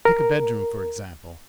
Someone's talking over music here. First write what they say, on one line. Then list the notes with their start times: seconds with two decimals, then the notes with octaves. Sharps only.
Take a bedroom, for example.
0.05 A#4